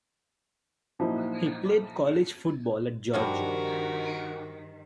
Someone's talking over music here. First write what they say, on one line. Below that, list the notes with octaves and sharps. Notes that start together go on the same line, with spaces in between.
He played college football at Georgia.
A#2 F3 F#3 A#3 D#4 E4
G2 D#3 F3 F4 F#4 A#4